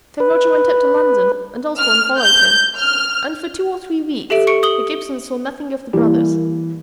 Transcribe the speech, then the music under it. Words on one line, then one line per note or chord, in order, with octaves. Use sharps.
So Roger went up to London and Osborne followed him, and for two or three weeks the Gibsons saw nothing of the brothers.
B4
F6
G6
F6
G4 A4 E5 D7 E7
C#6 C#7 D7
D#6 F#7 G7
E3 G3 A#3